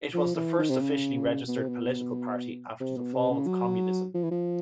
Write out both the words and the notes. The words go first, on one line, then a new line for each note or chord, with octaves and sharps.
It was the first officially registered political party after the fall of Communism.
F3
E3
D#3
C3
C#3
B2
C3
B2
C3
B2
C3
C#3
F#3
F3
E3
F3